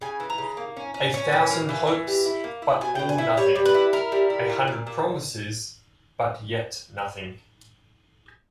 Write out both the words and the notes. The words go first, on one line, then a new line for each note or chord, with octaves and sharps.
A thousand hopes, but all nothing; a hundred promises but yet nothing.
C#3 G#5
E3
A#5
C#3
A#3
C#4
C#4
C#4
E3
A#3
E3
E3
G3
E4
A#3
E4
B2 G#5
B2 G5
G#5
E4
G3 C#5
G3
B4
E4
E4 A#4
G3
E4
A#2
A#2
A#2